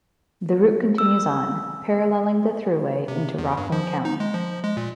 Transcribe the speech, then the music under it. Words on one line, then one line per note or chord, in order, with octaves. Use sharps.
The route continues on, paralleling the Thruway into Rockland County.
E6
C3
E2
G2
F3
D#4
G#3
F3
G#3
A#2